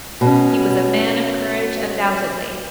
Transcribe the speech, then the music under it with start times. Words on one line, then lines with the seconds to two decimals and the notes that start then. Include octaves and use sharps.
He was a man of courage undoubtedly.
0.21 B2 C#4